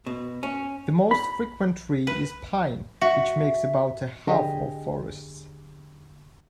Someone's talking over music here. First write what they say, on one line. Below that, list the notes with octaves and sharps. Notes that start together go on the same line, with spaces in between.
The most frequent tree is pine which makes about a half of forests.
B2
C#4
B5
B4
F#4 E5
D3 G4 G#4 D#5